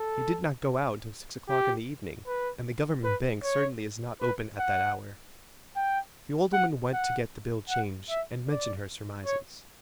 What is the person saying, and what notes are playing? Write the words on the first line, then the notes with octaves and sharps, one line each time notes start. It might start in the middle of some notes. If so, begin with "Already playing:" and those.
"He did not go out until six o'clock in the evening, and the government bank certainly is not open at that hour." The old woman went to get the bill changed, and mentioned her surmises.
Already playing: A4
G4
B4
B4
C#5
B4
F#5
G5
F#5
F#5
F#5
E5
D5
C#5